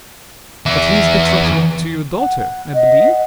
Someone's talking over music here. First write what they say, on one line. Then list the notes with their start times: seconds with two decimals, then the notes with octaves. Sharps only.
"But he is betrothed to your daughter, I believe?"
0.66 E2 E5
2.20 F#5
2.74 D#5